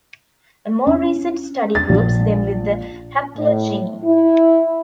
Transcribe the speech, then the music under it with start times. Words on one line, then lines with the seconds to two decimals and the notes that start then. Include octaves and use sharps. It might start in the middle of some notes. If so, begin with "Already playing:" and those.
A more recent study groups them with the Haplogynae.
0.87 C#4
1.75 A6
1.89 A#1
3.36 A2
4.04 E4